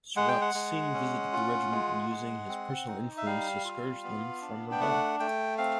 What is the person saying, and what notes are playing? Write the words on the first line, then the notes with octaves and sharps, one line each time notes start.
Surat Singh visited the regiment and using his personal influence discouraged them from rebelling.
G#3 F#5
G5
F#5
G#3
C#4
F4
G#3
G#3
C4
D#4
E5
G3 F5
F4
B3
D4
G5
A3 F#5
A3 G5
C4 F5